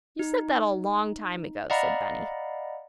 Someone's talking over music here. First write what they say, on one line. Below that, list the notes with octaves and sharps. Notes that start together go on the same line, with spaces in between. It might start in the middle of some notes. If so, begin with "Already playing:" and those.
"You said that a long time ago," said Benny.
D#4
D5 D#5 F5 F#5 A#5 B5